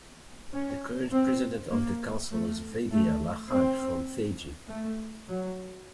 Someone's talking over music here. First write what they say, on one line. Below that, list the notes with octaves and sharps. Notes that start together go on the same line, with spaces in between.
The current President of the Council is Vidhya Lakhan from Fiji.
C#4
C4
A#3
A3
A3
C4
A3
F#3